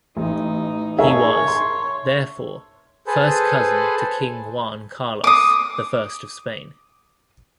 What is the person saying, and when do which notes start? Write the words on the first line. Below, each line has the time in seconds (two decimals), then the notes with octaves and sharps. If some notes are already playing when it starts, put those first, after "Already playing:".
He was, therefore, first cousin to King Juan Carlos the First of Spain.
0.17 A1 D#4
0.99 G#4 A#4 C#5 E5 A5 A#5
1.48 C6
3.07 G#4 A4 B4 C5
5.24 D6 D#6